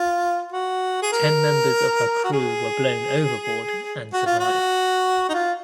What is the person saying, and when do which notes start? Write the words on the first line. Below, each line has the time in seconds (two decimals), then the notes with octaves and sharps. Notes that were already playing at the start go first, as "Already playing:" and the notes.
Ten members of her crew were blown overboard and survived.
Already playing: F4
0.52 F#4
1.02 G#4
1.12 A#4
2.24 F#4
2.33 G#4
4.13 F#4
4.26 F4
4.40 F#4
5.29 D#4
5.34 F4